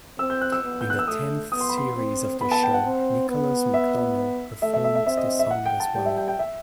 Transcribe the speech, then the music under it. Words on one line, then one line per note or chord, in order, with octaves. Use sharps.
In the tenth series of the show, Nicholas McDonald performed the song as well.
C4 E6
G6
F#6
E6
B3
G6
F#6
E6
A3 D#6
B3 D#6
C6
B5
C6
C4
B3 B5
A5
G5
F#5
C4
B3
E5
A3 E5
E5
E5
E5
C4 E5
D#5
D#5
E5
F#5
G5
A5
G3 G5
E5
G5
G5
E5